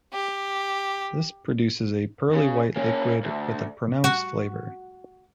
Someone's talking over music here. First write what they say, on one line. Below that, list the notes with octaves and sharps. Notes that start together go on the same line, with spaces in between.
This produces a pearly-white liquid with a pronounced flavor.
G4
C#3
A#3 C#4
D2
F#4